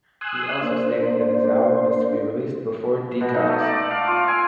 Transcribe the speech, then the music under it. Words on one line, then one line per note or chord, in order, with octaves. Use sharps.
He also stated that his album is to be released before "Detox".
G#5 C6 D#6 E6 F#6
A#3 D4 C5
B2
D#4
A3
D5
D5
F5
F4
G#5